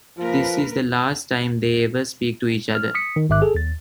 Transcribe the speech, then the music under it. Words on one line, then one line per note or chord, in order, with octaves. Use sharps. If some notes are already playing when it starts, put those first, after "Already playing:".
This is the last time they ever speak to each other.
F3 A#3 A#4 B4
F6
D#6 B6 C#7
D#3
A1 G#2 D#3 E5 D6 F#6
G#4 A4
D#2 A6